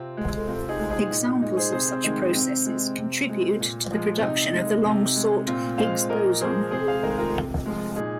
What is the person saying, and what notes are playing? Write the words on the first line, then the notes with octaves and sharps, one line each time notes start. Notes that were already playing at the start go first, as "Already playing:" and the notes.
Examples of such processes contribute to the production of the long-sought Higgs boson.
Already playing: C3 C4 F4
G#3
C3 C4 F4
D#4 G#4
G#3
D#4 G#4
A#2 D#4
D#4
G#3 D#4
G#4 C5
C3 G#4 C5
C4
D#3 G#3 D#4
C3 C4
G#3
C3
G#3
A#2
F3 G#3
C4
C3 D#4
G#3
C3
G#3
A#2 C4 F4
G#3 C5 F5
A#2 A#4 D#5
F3 G#3 G#4 C5
C3 G#4 C5
C5 F5
D#3 G#3 A#4 D#5
F4 A#4
C3
F3 G#3
A#2 D#4 G#4